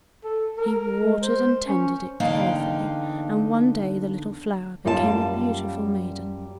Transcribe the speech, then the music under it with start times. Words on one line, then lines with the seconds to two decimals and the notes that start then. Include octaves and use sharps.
He watered and tended it carefully, and one day the little flower became a beautiful maiden.
0.24 A4
0.58 A#4
1.03 G#3
1.22 C5
1.67 C#4
2.20 E2 D3 A#3 D#4 F5 G5
4.85 F#2 G3 A#3 F4 F#4 A5